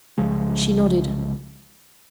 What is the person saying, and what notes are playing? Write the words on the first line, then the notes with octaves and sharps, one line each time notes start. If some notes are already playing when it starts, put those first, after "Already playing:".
She nodded.
C2 C#3 F3 G#3